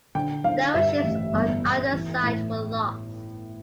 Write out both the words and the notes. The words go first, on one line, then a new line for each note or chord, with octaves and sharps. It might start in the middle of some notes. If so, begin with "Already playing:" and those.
No ships on either side were lost.
D3 G5
D3 F5
G2 E5
A1
G1
G1
E3
A2